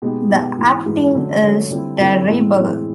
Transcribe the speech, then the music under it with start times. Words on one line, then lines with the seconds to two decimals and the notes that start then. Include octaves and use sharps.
The acting is terrible.
0.02 B2 G#3 B3 D#4 G4
0.30 B2 G#3 B3 D#4 G4
0.58 G#2 E3 G#3
0.86 G#2 E3 G#3
1.15 D3 F#3 A3 C#4
1.42 D3 F#3 A3 C#4
1.71 D3 G3 C4 E4
2.00 D3 G3 C4 E4
2.27 A2 E3 G#3 C4
2.56 A2 E3 G#3 C4